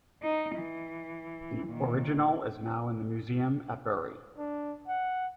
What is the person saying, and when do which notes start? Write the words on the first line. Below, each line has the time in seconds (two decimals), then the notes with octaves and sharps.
The original is now in the museum at Bury.
0.23 D#4
0.57 E3
1.67 A#2 D#3
4.38 D4
4.88 F#5